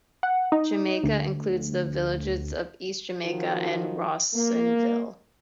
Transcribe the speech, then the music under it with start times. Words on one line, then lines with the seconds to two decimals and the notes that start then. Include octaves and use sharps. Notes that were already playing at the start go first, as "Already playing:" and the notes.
Jamaica includes the villages of East Jamaica and Rawsonville.
0.23 F#5
0.52 D#4
1.04 D2
3.24 D#3 F3 F#3 D#4 F#4
4.34 A#3